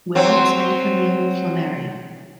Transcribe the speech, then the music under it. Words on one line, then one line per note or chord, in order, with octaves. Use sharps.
Wells and Camille Flammarion.
F#3 C4